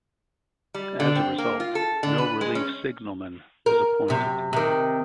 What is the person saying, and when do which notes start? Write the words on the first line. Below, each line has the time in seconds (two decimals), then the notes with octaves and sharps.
As a result, no relief signalman was appointed.
0.74 G3
1.00 D3
1.16 C4
1.38 A#3
1.60 F4
1.75 A4
2.03 D3
2.18 B4
2.41 G#3
2.55 C#4
3.66 A#4
4.08 F#2 C3
4.53 C3 D#3